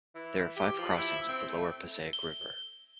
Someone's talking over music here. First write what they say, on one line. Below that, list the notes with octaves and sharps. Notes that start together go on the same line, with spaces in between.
There are five crossings of the Lower Passaic River.
E3
G4
F3
E4
C4
A3
G7